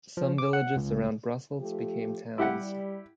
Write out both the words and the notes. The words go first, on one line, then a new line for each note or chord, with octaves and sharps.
Some villages around Brussels became towns.
F3
D6
F#5
C#2
F3 A3 G4
G3 E4 G4 F#5